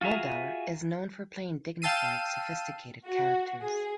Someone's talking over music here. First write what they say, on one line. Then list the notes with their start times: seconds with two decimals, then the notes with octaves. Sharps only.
Muldaur is known for playing "dignified, sophisticated characters".
0.01 F4 F#4 G#4 E5 A#5
1.82 F5 G5 A5 E6 C7 D#7
3.06 F#4
3.62 G#4